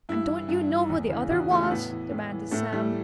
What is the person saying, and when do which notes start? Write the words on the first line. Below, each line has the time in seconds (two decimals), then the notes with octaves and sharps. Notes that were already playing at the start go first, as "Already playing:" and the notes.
"And don't you know who the other was?" demanded Sam.
0.09 G2 E4
0.29 E3
0.49 G2
0.70 E3
0.90 E2
1.10 C#3 E3
1.30 E2 F#4
1.50 C#3 E3 A3
1.63 A3
1.71 A2 B3
1.91 E3
2.11 A2
2.32 E3
2.51 A2 A3
2.72 E3 G3